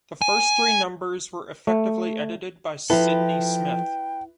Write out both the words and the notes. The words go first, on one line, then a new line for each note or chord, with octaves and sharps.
The first three numbers were effectively edited by Sydney Smith.
G#5
A3
F3 E4 A4 B4 G5